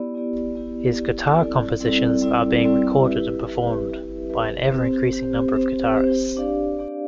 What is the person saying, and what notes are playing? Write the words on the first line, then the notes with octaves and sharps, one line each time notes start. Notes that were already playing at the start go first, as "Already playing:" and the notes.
His guitar compositions are being recorded and performed by an ever-increasing number of guitarists.
Already playing: B3 E4 G4 D5
B3 E4 G4 D5
B3 E4 G4 D5
B3 E4 G4 D5
G3 C4 E4 A4 D5
G3 C4 E4 A4 D5
G3 C4 E4 A4 D5
G3 C4 E4 A4 D5
E4 G4 B4 E5
E4 G4 B4 E5
E4 G4 B4 E5
E4 G4 B4 E5
C4 G4 C5
C4 G4 C5
C4 G4 C5
C4 G4 C5
D4 G4 D5 F5
D4 G4 D5 F5